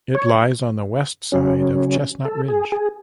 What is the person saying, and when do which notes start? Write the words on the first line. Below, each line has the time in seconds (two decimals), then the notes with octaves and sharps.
It lies on the west side of Chestnut Ridge.
0.15 C#5
1.32 C#3 F#3 C#4
2.25 A4
2.48 G#4
2.72 G#4